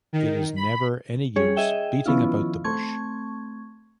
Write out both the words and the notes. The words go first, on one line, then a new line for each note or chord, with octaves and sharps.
It is never any use beating about the bush.
D#3
B5
G3 C#4 G#4 C#5
G#4 D#5 E5 G5
D#3 F3 B3 C#4 E4 F4
A3 C4 C#6 G#6